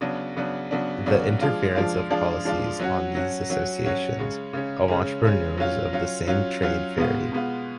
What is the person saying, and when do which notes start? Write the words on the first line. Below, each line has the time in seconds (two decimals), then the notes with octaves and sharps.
The interference of policies on these associations of entrepreneurs of the same trade varied.
0.01 C#3 F#3 B3 D4
0.37 C#3 F#3 B3 D4
0.71 C#3 F#3 B3 D4
1.06 C#3 F#3 B3 D4
1.41 F3 G#3 D4 F4
1.75 F3 G#3 D4 F4
2.10 F3 G#3 D4 F4
2.45 F3 G#3 D4 F4
2.79 F#3 C#4 F#4
3.15 F#3 C#4 F#4
3.50 F#3 C#4 F#4
3.84 F#3 C#4 F#4
4.19 C#3 G#3 C#4
4.53 C#3 G#3 C#4
4.88 C#3 G#3 C#4
5.24 C#3 G#3 C#4
5.58 F#3 C#4 F4
5.93 F#3 C#4 F4
6.27 F#3 C#4 F4
6.62 F#3 C#4 F4
6.98 B2 G#3 B3 F4
7.32 B2 G#3 B3 F4